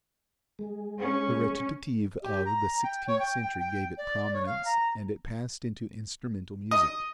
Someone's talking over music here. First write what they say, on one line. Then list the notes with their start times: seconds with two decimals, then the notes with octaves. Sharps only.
The recitative of the sixteenth century gave it prominence, and it passed into instrumental music.
0.59 G#3
0.99 C#4
2.22 G4
2.45 A#5
2.83 G5
3.07 C#5
3.19 G5
3.42 G5
3.59 G5
3.98 D5
4.34 C#5
4.46 F5
4.65 A#5
6.71 D#5